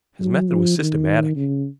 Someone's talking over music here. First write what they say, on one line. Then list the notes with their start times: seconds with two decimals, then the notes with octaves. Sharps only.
His method was systematic.
0.20 F#3
0.48 F3
0.78 D#3
1.36 C#3